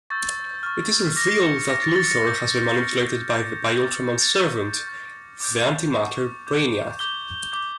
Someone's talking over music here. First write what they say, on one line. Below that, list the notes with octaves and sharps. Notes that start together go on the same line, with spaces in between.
It is revealed that Luthor has been manipulated by Ultraman's servant, the antimatter Brainiac.
C#6 E6 G6 A6
C#6 F6
D6 F6 A#6
C#7
D6 F6 A#6
A6
A6
C#7
A#6
C#6 E6 G6
C#6 F6
D6 F6 G6
D6 F6 A6
C#7
G6
A6
C#6 F6 G6
C#6 G6
D6 G6
C#6 G6
D6 G6
D6 G6 G7
D6 G6